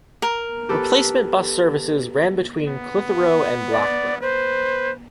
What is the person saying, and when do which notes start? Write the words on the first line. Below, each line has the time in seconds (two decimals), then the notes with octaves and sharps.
Replacement bus services ran between Clitheroe and Blackburn.
0.22 A#4
0.69 G4 A4 B4
2.68 B3
3.71 D5
4.22 B4 C5